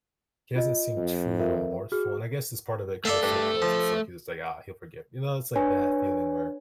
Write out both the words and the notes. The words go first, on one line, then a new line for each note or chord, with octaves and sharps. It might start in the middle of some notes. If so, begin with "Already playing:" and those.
he hasn't seemed too remorseful and I guess it's part of it because we're so close, it's like he's like, "Ah, he'll forgive me" You know, it's like that feeling where,
F4 D#5
F2
F4 A#4 E5
F#4 G#4 F6
A3 A4 D5 E5 F5
G2
F3
D4 B4 C#5 G#5